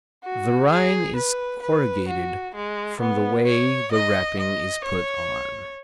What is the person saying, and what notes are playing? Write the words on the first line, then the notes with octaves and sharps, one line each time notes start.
The rind is corrugated from the way the wrapping is put on.
F#4
G#4
B4
B4
F#4
G#3
B3
C#5
D#5
D#5
C#5